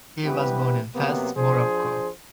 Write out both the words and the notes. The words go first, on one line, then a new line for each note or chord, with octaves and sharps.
He was born in Fes, Morocco.
G2 E3 B3 C4 G4 B4
C3 F#3 A#3 B3
F3 D4 G#4 C5